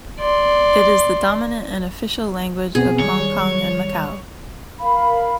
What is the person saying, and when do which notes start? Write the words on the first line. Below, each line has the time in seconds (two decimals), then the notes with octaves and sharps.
It is the dominant and official language of Hong Kong and Macau.
0.19 D5 C6
2.75 B2 B3 C4 G#4
3.00 D#3 G3 C#5
4.80 A#4 F5 B5